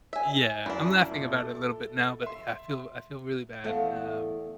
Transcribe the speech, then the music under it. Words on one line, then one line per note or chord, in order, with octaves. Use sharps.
Yeah, I'm laughing about it a little bit now, but y I feel I feel really bad, um,
E5 G#5
F#2 D4 E4
A#2
A4
E5 C6
E2 A3 A4 E5 F5